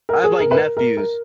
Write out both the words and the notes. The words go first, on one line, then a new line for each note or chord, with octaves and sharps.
I have, like, nephews.
A#4
G#4
A#4
B4
A#4
A#4
A#4